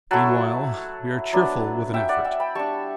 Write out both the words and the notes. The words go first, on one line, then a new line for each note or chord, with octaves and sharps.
Meanwhile we are cheerful with an effort.
F#3 A3 E4 F#5 A5
F#3 B3 D4
E5 G5
D5 F#5
E5 G5
G5 B5
G3 D4 A5 C#6